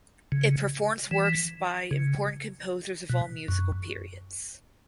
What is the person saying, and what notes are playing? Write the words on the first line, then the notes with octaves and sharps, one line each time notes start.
It performs works by important composers of all musical periods.
C#3
E3
C#3
B2
F#2